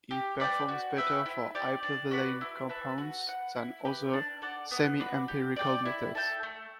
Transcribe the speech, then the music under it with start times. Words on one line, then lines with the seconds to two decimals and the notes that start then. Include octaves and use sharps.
It performs better for hypervalent compounds than other semiempirical methods.
0.11 G4
0.40 B4 D5 G5
0.69 F#4
0.97 B4 E5 G5
1.26 E4
1.55 G4 D5
1.83 D4
2.11 F#4 B4 D5
2.41 E4
2.69 B4 E5 A5
2.98 F#4
3.27 B4 F#5
3.56 E4
3.85 G4 B4
4.13 D4
4.42 A4 D5 F#5
4.71 B3
5.00 D4 F#4 B4
5.28 G4
5.56 D5 G5
5.85 E4
6.15 A4 E5 G5
6.43 A3